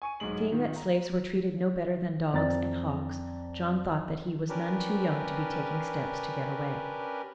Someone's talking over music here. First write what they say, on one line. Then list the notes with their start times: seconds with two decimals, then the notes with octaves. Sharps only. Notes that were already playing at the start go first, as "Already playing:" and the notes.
Seeing that slaves were treated no better than dogs and hogs, John thought that he was none too young to be taking steps to get away.
0.02 G#5 C#6 D#7
0.20 B1 G#2 G#3 F#7
0.51 A#2 D#3
0.76 A#5
2.33 F2 D5 A#5 A6
4.49 C#4 D4 G4 A#4 B4